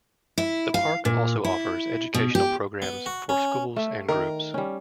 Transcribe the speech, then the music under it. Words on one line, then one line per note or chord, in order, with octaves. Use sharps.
The park also offers educational programs for schools and groups.
E4
F5
A#2
E4
B2
G4
B3
F#4
C#4
A3 E5
D#3 A#4
G3 C#4